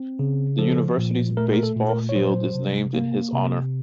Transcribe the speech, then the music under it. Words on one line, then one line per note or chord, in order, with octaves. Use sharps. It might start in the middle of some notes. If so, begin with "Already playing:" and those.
The University's baseball field is named in his honor.
Already playing: C4
C#3
F3 A4
A#2
A3 A#4
A#4
A4
A#2
A#4
C#5
F#3 C5
C3
A#3
C3